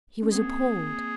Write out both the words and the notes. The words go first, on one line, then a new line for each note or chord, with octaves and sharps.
He was appalled.
C#4
A#3 C4 G#4